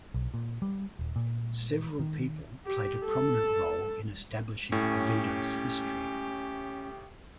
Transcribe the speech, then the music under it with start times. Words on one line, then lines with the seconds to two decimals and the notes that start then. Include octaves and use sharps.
Several people played a prominent role in establishing Oviedo's history.
0.14 B1
0.34 A#2
0.62 G3
0.99 D#1
1.16 A#2
2.00 D#3
2.66 G4
3.05 A4
4.72 A2 C#4 G4